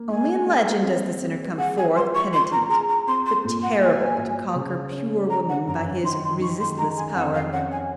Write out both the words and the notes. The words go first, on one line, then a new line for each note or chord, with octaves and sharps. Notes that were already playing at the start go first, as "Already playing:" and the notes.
Only in legend does the sinner come forth penitent, but terrible, to conquer pure woman by his resistless power.
Already playing: A#3
G#3 G#5
G#3
C4
C4
G#4 F#5
G#5
F4 C6
C#6
F4 C6
A#5
G#4 A#5
A#5
C4 C6
C6
A#2
F#5
F#4 G#5
A#2
C#3
C#4
C#4 A#5
F#5
F#2 A#5
D#3 C6
C6
D#3 C#6
C6
G#3 A#5
G#5
F2 F#5
F5
C#4 F#5
G#5